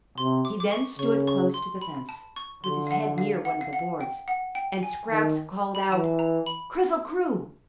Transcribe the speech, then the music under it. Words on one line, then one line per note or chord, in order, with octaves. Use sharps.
He then stood close to the fence, with his head near one of the boards, and Scraps called out "Krizzle-Kroo!"
C3 C6
D6
D6
C#6
C#3 C#6
C#6
C6
B5
A5
C#6
D3 C6
F5
F#5
F5
F#5
F5
F#5
G5
F#5
G5
G#5
D#3
B5
A#5
E3 A5
A#5
B5